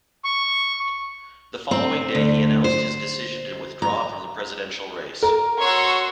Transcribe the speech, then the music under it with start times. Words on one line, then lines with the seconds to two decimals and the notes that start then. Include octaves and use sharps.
The following day he announced his decision to withdraw from the presidential race.
0.25 C#6
1.71 C4
2.15 D2
2.64 C5
3.82 A#5
5.23 A#4
5.61 F#4 C#5 C6 C#6 E6